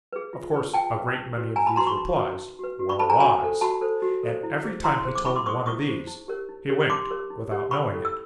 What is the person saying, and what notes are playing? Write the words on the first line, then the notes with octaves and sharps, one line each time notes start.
Of course a great many of these replies were lies, and every time he told one of these, he winked without knowing it.
G#4 B4
F4
G#4 B4
F4 G5 A5
G#4 B4
D#4
F#4 B4
D#4 G#5 A#5
A5 B5
F#4 B4 A#5 C6
B5 C#6
D#4
F#4 B4
D#4
F#4 B4
F#4
B5 C#6
A4 C5 A5 B5
G#5 A#5
F#4 G#5 A#5
A4 C5
F#4 A5 B5
A4 C5
F#4
A4 C5
E4
G#4 C5
E4 A#5 C6
G#4 C5
D6
E4 B5 C#6
C6 D6
G#4 C5 C#6 D#6
E4 C#6 D#6
G#4 C5
D#4
G4 A#4 C#5
D#4
G4 A#4 C#5
D#4 C6 D6
G4 A#4 C#5
D#4
G4 A#4 C#5
C#4 B5 C#6
E4 A4 C#5
E6